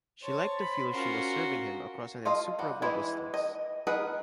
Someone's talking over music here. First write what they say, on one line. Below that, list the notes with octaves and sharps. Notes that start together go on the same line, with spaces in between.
She liked to feel she was serving him across an insuperable distance.
C5 C#5 A5
B5
C#4 F4 F#4 A#4 C6
F4 A4 D#5 F5
G3 F#4
E3 G#3 E4
D#5
G#4 A#4 B4 D#5 F#5